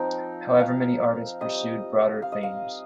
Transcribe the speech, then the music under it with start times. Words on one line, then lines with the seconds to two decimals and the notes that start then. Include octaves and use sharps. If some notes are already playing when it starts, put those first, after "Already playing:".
However many artists pursued broader themes.
Already playing: F3 C4 D#4 F5 G5
0.60 F5
1.41 G3 C4 F4 D#5
2.22 F5
2.32 D#5
2.43 F5